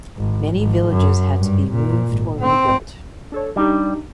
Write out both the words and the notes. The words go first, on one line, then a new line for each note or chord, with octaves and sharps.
Many villages had to be moved or rebuilt.
G#1
G#1
F#2
G2
A#2
G#1
C4
D4 A4 C#5
G3 D4 D#4 G4